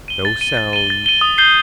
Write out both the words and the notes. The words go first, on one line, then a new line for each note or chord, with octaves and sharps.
No sound.
D#7 G7
A6
D#7 G7
A6
D#7 G7
A6
D#7 G7
D#6
G6 C7 G7